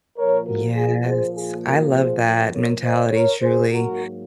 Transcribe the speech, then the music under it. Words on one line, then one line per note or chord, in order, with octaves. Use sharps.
Yes. I love that mentality, truly.
A#2 F3 A#3 A#4 C#5
F#4 A#4
F4 G#4
G#4 C5
F4 G#4
F#4 A#4
G#4 C5
A#4 C#5
C5 D#5
A#4 C#5
G#4 C5
G#2 F#3 A#3 F#4 A#4